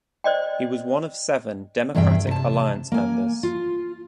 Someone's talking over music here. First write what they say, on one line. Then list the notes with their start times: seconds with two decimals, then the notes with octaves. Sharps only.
He was one of seven Democratic Alliance members.
0.24 C5 D5 D#5 G5
1.95 E2 G2 C3 G#4 E5 G5
2.27 C3 A5
2.92 A#3 G#5
3.43 F4